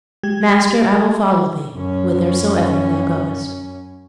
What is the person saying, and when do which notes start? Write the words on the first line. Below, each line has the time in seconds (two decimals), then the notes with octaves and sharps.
"Master, I will follow Thee whithersoever Thou goest."
0.23 G#3 G4 G#6
1.74 F#2 C#4